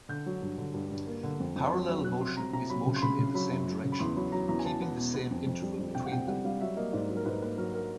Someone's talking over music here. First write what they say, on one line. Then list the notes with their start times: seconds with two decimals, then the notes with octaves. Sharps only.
Parallel motion is motion in the same direction, keeping the same interval between them.
0.09 D3 G6
0.26 F#3
0.42 G2
0.57 D3
0.74 G2
0.91 G2
1.07 A#3
1.23 D3
1.40 F2
1.56 F2
1.72 F#3
1.88 F#3
2.04 F#3 F#6
2.21 C3 C6
2.37 C3 A#5
2.53 C3 A#5
2.70 F#3 B5
2.86 C#3
2.96 C6
3.02 C#3 B5
3.18 C#3
3.34 F#3 B5
3.51 F#2
3.67 F#3
3.84 C#3
3.92 B5
3.99 E2 C6
4.16 F#3 B5
4.32 F#3 A#5
4.48 E2 A#5
4.59 G#5
4.65 B3 A5
4.82 B3
4.97 B2
5.14 B3
5.31 F2
5.46 F2
5.62 G3
5.79 F2
5.95 C3 G5
6.06 F#5
6.11 C3 G5
6.27 G3 F#5
6.45 G3 F5
6.61 F#3 E5
6.76 A#3 D#5
6.93 G#2 D5
7.09 F#3
7.17 A#4
7.25 G#2 B4
7.41 A#3 B4
7.58 F#3 A#4
7.74 A#4